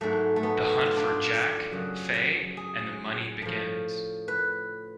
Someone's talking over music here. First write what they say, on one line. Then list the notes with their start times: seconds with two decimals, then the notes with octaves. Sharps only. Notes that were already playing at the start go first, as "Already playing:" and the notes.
The hunt for Jack, Fay and the money begins.
0.01 G#2 F#3 A3
0.36 A3
0.43 B3
0.86 F4
0.96 D4
1.07 F4
1.72 F#2 C#3 F#3
2.57 G#4
3.42 A2 F3
4.28 B4